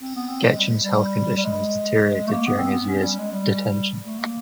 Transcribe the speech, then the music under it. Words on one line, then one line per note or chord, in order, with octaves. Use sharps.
Gechem’s health condition has deteriorated during his years of detention.
C4
B3
C4
G#3
G3
G3
G3
G#3
A3
A#3
B3
C4
B3
C#4
G3
G#3
G3
A3
A#3